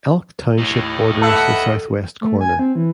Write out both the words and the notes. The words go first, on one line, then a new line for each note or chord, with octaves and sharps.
Elk Township borders the southwest corner.
D#2 A2 D#5
A4 B4 E5 F#5
A3
G#5
C4
E3